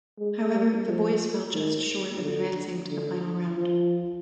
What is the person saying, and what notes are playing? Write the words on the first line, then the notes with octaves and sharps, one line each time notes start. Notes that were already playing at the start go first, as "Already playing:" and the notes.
However, the "Boyz" fell just short of advancing to the final round.
G#3
G3
F3
D#3
D3
D3
F3